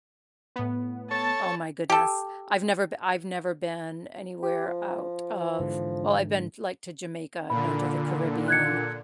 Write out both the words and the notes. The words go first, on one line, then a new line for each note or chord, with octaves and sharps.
Oh my goodness. I've never be I've never been anywhere out of well, I've been, like, to Jamaica, I've been to the Caribbean,
A2 B3
A4 C#5 A5
G4 A4
G4
F3
G#2 D3 E3
A#2 D3 B5
F#6 G#6 C#7